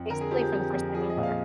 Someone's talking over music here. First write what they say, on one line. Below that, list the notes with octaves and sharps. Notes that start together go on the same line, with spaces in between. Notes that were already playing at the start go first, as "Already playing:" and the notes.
basically, for the first time ever.
Already playing: F2
D3 A#4
G#4
F3 G4
G4
F2
F2
F3 G#4
D#5
A#2
F5